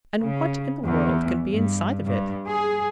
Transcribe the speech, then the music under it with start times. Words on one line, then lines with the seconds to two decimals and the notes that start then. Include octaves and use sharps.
"And what in the world can be inside of it?"
0.21 C#3
0.85 E2
1.52 G2
2.05 G2
2.49 G#4